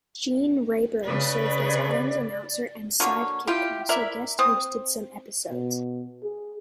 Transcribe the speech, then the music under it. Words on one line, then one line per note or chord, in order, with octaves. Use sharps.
Gene Rayburn served as Allen's announcer and sidekick and also guest-hosted some episodes.
C#3 B4 D5
D3 F#3 A#3 C#5 F5
E4 F4 G4 F5 G5
E4 A#4 D5 E5
C4 D#6
B2
G#4